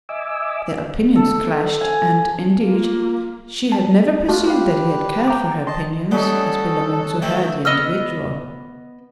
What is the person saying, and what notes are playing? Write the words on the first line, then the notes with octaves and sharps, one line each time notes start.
Their opinions clashed; and indeed, she had never perceived that he had cared for her opinions, as belonging to her, the individual.
D#5 E5 G#5 D6 E6
A4
G#5
A#3 F4
A5
A3 D4 F4 F#4 A5
F4 G4 B4 F5
G5 A#5 D6
D#5 A5 C6
G3 B3 C#4 D#4 A4
D#3 E3 A3 E5 G5
B3 D#5 E6 F6